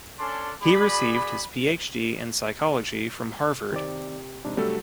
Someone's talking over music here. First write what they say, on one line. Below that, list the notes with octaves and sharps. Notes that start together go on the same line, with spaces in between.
He received his Ph.D in Psychology from Harvard.
C#4 D4 A4 D5 G#5 C6
F#4 G#4 D5 B5
C3 D#3 C4 D5
F2 G#2 C3 D4
F#3 G3 A3 A4